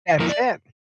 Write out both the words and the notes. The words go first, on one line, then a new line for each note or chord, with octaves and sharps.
That's it.
F3 A#3 E4 A#4
D5